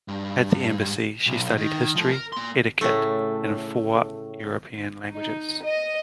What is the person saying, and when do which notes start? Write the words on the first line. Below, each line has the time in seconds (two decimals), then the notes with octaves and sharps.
At the embassy she studied history, etiquette, and four European languages.
0.08 G2
1.27 B1
1.57 D#3
1.96 F3 A3
2.11 A#4
2.33 A#3 C6
2.81 A2 C#3 A3
5.15 D#4
5.64 D#5